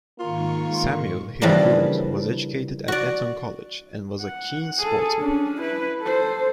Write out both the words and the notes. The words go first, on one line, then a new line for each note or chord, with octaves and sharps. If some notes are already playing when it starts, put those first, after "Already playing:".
Samuel Hill Wood was educated at Eton College and was a keen sportsman.
G#2 D#3 A#3 F4 C#6
C#3 E3 F3 G3 A#3 D4
F#4 D5
F#5
G#4 A4
C#4 D4
E4 B4
A4 C5